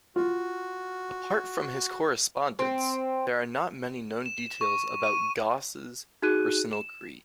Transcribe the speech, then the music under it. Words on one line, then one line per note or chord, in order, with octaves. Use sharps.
Apart from his correspondence, there are not many known details about Gauss' personal creed.
F4 F#4
C4
E7
C#6
D#7
D#4 F#4 G#4 F#6 D#7
E7